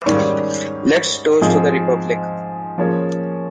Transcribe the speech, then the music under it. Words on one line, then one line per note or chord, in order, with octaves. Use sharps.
Let’s toast to the Republic!
G#2 D#3 G3 C#4
G#2 F3 C4 D#4 G#4
F3 A#3 C#4 G#4 C#5